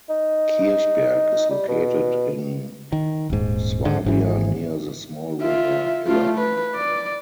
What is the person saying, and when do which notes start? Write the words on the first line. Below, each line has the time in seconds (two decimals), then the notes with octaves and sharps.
Kirchberg is located in Swabia near the small river Iller.
0.09 D#4
1.50 G3
1.68 B2
2.92 D#3
3.30 D#1 G#2
3.85 G#2 D3
4.04 G#1 G#2 E3
5.42 F4 E5
6.07 A3 F4
6.39 B4
6.76 D5